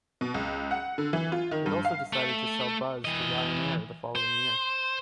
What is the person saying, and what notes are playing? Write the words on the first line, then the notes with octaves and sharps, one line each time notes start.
It also decided to sell Buzz to Ryanair the following year.
B2
C#2
F#5
D3
E3
F4
D#3
G2
F5
A3
E3 D#5
C5